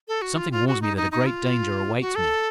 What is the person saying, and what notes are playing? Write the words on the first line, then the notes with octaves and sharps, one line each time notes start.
"Something warns me that a great danger awaits me."
A4
F#4
F4
F4
F#4
D#4
D#4
D#4
F4
F#4
A4